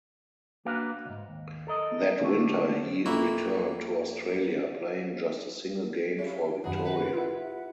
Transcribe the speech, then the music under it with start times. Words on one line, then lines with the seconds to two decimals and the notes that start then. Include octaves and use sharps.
That winter he returned to Australia, playing just a single game for Victoria.
0.65 A#3 D4 F#4 B4 F5
1.05 C2 G#2
1.29 D#2
1.67 A4 A#4 D#5
2.20 D3 A3
3.06 F2 A#3 E4 F#4
6.19 C#4 E4 G4 E5 F5
6.64 F#2 D#3 F#3 G#4 F#5 B5
6.85 B4
7.13 E4 F4
7.39 E5 F#5